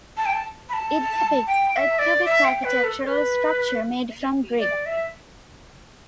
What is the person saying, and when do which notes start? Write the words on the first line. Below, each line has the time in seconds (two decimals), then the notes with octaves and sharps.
It depicts a cubic architectural structure made from brick.
0.17 A5
0.26 G5
0.33 A5
0.69 B5
0.73 A5
1.47 G5
1.73 G5
1.76 E5
1.99 D5
2.26 E5
2.45 G5
2.64 B4
2.84 A4
3.03 D5
3.07 B4
4.60 D5
4.86 E5